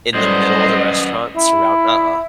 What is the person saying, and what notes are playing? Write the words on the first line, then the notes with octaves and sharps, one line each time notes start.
in the middle of the restaurant surroun Uh-uh.
F#2 A2 G3 B3 C5 D#5
E4